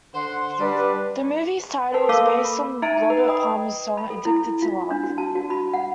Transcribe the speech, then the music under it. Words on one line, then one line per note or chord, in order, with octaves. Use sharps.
The movie's title is based on Robert Palmer's song "Addicted to Love".
D3 C5 F#5 C6
G3 D4 B4
A#4 B4 A5
A#3 A4 F5 D6 E6
B5
D#4 E5 A#5 A6 D7
B4
B4 D#5 G5 B5 D#6
B5
A4
E4
F4
D4
F#4
A5
F#4
B5
F#5